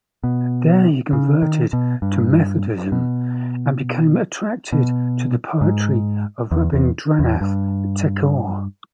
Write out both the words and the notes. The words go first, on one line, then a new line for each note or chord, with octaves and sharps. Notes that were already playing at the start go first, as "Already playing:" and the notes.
There he converted to Methodism and became attracted to the poetry of Rabindranath Tagore.
B2
C#3
D#3
B2
G2
B2
B2
G#2
E2
E2
E2
G2